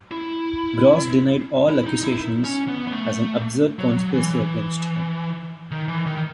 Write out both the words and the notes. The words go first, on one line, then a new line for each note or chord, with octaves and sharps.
Gross denied all accusations as an absurd conspiracy against him.
E4
E4
D#4
E4
C#4
B3
B3
A3
F#3
F#3
E3
E3
D#3
E3
D#3